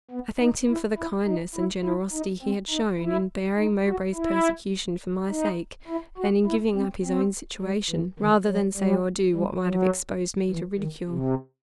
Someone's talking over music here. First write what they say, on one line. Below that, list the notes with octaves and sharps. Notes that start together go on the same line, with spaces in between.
I thanked him for the kindness and generosity he had shown in bearing Mowbray's persecution for my sake, and in giving up his own situation, rather than say or do what might have exposed me to ridicule.
B3
D#4
E4
E4
D#4
E4
E4
D#4
C4
D#4
E4
D#4
F#4
E4
D#4
E4
F#4
E4
C4
C4
G3
E3
D#3
F#3
G3
G3
F#3
E3
D#3
C3